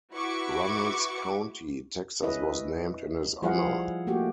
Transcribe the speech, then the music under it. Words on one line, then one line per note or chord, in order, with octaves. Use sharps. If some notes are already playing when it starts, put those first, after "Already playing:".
Runnels County, Texas was named in his honor.
E4 F#4 B4 C#6 D6
C#4 E4 B4 D#5
F3 G3 E4 G#4 F5 F#5
A3 A#3 F#4 G4